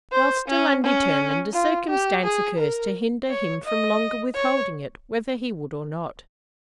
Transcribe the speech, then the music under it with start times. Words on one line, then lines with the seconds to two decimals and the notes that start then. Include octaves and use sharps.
While still undetermined, a circumstance occurs to hinder him from longer withholding it, whether he would or not.
0.12 C5
0.48 C#4
0.84 C#4
1.53 F4
1.89 G4
2.23 G#4
2.59 A#4
3.29 C#5
3.65 D#5
4.35 C#5